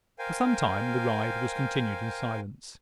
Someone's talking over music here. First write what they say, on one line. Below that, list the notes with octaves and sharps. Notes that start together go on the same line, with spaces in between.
For some time the ride was continued in silence.
A#4 C5 F5 G5 G#5